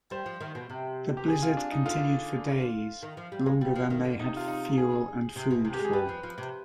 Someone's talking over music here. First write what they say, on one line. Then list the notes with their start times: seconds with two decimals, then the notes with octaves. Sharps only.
The blizzard continued for days, longer than they had fuel and food for.
0.11 G3 C5
0.26 F3
0.41 D#3
0.55 B2
0.70 C3
1.17 G4
1.28 G#4
1.43 F4
1.57 D4
1.72 D#4
1.86 D3 F4
3.03 D#3
3.17 F3
3.32 G3
3.46 G#3
3.61 G3
3.76 F3
3.90 D#3
4.04 D3
4.19 C3 D#4
4.37 F4
4.48 D#4
4.77 G#4
5.36 C3
5.51 B2
5.65 C3
5.74 G4
5.79 G#3
5.85 G#4
5.93 G3 B4
6.09 F3
6.23 F3
6.38 C3